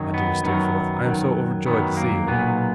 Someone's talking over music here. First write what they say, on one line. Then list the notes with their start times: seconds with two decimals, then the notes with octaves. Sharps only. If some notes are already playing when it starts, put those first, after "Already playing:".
My dear Steerforth, I am so overjoyed to see you!'
Already playing: F#2 D#3 F#3
0.14 B3
0.44 F#2 D#3 F#3 B3
1.05 F#2 D#3 F#3
1.66 F#2 D#3 F#3 B3
1.97 A#3
2.27 B1 A#2 F#3 B3